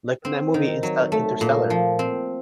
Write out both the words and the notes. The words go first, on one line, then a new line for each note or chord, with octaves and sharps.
Like in that movie, Insta Interstellar.
C4
D#3
F#3
A3
A#2
F3
C4